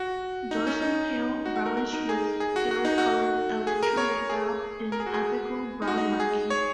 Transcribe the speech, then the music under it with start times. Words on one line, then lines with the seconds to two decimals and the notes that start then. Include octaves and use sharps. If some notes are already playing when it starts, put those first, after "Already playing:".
Dorsum pale brownish with pale coloured elytra without an apical brown marking.
Already playing: F#4
0.51 D#4
0.67 C#4
0.82 D#4
1.46 F#4
1.56 F#4
1.66 A#4
1.77 A#4
1.93 D#4
2.09 G#4
2.40 G#4
2.56 F#4
2.71 F#4
2.85 D#4
2.98 F#4
3.67 G#4
3.83 A#4
3.97 C#5
4.29 G#4
4.92 A#4
5.00 G#4
5.06 F#4
5.14 G#4
5.82 D#4
5.88 F#4
5.97 D#4
6.20 G#4
6.50 C#5